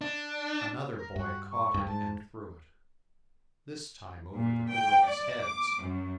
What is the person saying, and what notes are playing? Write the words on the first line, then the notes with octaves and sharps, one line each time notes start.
Another boy caught it and threw it, this time over the girls' heads.
D4
A#4
G2 F#4
C#6
G2
G#2 A5
A#2
G5
D5
D6
F#2